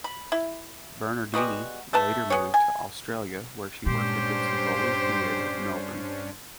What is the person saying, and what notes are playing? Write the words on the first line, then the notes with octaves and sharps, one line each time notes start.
Bernardini later moved to Australia where she worked at the Tivoli Theatre, Melbourne.
B5
E4
G3 G#3 B3 F#4
A3 B4 A5
B3 G#4 C#5
G#5
G2 A#2 G#3 C#4 D4 G4 C5